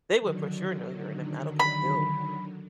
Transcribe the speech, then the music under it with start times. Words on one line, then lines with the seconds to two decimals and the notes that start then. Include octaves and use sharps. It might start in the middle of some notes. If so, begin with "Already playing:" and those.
They would, for sure, know you're in a medical field.
0.20 D3 D#3 F#3
1.60 B5